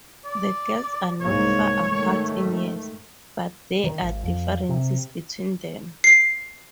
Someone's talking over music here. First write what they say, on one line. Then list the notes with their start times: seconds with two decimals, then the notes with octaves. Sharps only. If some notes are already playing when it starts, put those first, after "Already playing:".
The girls are not far apart in years, but there are differences between them.
0.25 D5
1.21 C2 G#2 A#3 C#5
1.85 G#2 D#3 A3
3.84 D#3
4.01 G#1
4.23 F2
4.69 C3
6.04 C7